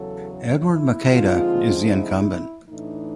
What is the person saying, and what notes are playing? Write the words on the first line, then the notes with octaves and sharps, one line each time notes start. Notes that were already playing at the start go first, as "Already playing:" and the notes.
Edward Maceda is the incumbent.
Already playing: E2 C#3 F#3 A4
E4
D3 F3 G#3 C4 D#4 F4
E4
A2 E3 A3 D4 D#4